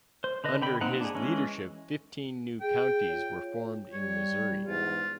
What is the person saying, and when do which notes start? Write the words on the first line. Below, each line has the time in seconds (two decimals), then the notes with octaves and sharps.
Under his leadership fifteen new counties were formed in Missouri.
0.24 C5
0.44 D3 B4 D#5
0.62 D3 G5 B5
0.81 A#3 C4 D#4 F#5
1.01 D4 G#4
1.15 E3 G#3 C#4
2.61 G#4 G5
3.10 F4 C#5
3.93 G3 C#5
4.66 E2 G#2 F4